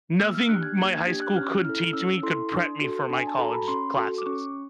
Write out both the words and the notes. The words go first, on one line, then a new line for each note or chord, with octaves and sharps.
nothing my high school could teach me, could prep me for my college classes.
A#3 E6
F6
D4 G4 F#6
G#6
A#3 G#6
G#6
D4 G4 G#6
F#6
C#4 F6
E4 A4 F6
C#4 E6
E4 A4 C6
D4
F#4 A4
D4 G#5
A5
F#4 A4 A#5
B5
C#4 C6
F#4 A4
D6
C#4 C#6